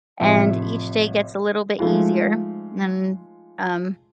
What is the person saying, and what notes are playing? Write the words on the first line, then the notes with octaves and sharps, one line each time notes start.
and each day gets a little bit easier. And, um,
A1 C3 F3 E5
G#2 F3 A3